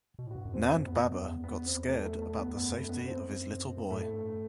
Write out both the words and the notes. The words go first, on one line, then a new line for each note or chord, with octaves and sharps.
Nand baba got scared about the safety of his little boy.
B2
A2
G2 F#4
F#2
E2 C4
F#2
E2 B3
F#2
E2 B3
B3
C4
A3
A3
A3
B3
E2
F#2 B3
A3
B3
C4
A2 A3
G2